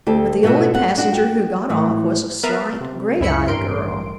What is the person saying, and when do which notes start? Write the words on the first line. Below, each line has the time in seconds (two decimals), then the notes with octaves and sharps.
But the only passenger who got off was a slight, gray-eyed girl.
0.07 D2 G4 A4
0.43 B2 B3 F4 F#4 A4
0.74 F#5
0.98 D4 F#4 F#5
1.13 F#4 G5
1.69 A2 E3
2.43 B3 A#4 B4 E5 F5 A5
2.81 C3
3.21 C#2 F#2 E4 B5 C#7
3.48 A1 G2 A#4 C6 D7